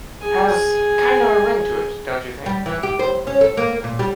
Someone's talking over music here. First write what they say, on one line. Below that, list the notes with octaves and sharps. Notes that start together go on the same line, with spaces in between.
Has kind of a ring to it, don't you think?
G#4 G#5
G3
E3
G4
C5
C#4
A4
A#3
A#2
G3